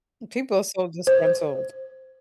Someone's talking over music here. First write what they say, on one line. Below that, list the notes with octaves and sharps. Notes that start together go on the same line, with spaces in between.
People are so disgruntled.
C5